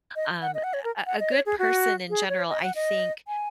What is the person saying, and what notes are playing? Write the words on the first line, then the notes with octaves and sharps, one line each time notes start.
Um, a a good person in general, I think,
D#5
F#5
D#5
F#5
C#5
A#4
F#5
D#5
C#5
G#4
F#4
G#4
C#5
D#5
F#5
D#5
G#5